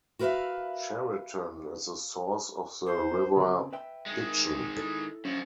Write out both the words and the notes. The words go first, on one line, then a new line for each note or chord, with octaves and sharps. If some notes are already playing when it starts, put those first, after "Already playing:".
Cheriton is the Source of the River Itchen.
F#4 A#4 B4 D5 E5 F5
C5
C#3 C4
B4 E5 G5
D#3 G#3
E4 A4
F#2 F3 C#4